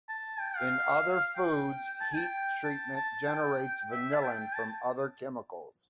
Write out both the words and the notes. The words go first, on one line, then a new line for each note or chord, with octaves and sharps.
In other foods, heat treatment generates vanillin from other chemicals.
A5
G5
F5
G5
A5
G5
A5
A5
G5
E5
A5
G5
A5